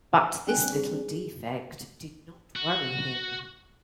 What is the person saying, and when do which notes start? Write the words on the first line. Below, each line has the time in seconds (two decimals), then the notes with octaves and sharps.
But this little defect did not worry him.
0.47 G3 C4 D4 G5 G#5 F#6
0.72 G#4
2.56 F#4